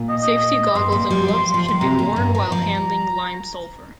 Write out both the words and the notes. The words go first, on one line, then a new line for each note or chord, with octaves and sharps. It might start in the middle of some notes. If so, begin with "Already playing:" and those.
Safety goggles and gloves should be worn while handling lime sulfur.
Already playing: A#2
D#5
D#5
G2 C6
A#2
G3
F3
F3
D#3
C3 A#5
A#2
G2
F3 A#5
F3